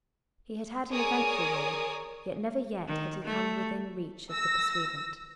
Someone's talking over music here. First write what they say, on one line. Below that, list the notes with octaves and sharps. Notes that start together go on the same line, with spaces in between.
He had had an eventful year, yet never yet had he come within reach of the pursuivant.
G#4 A#4 C#5 D5 G#5 D#6
D#3
A3
E6 A#6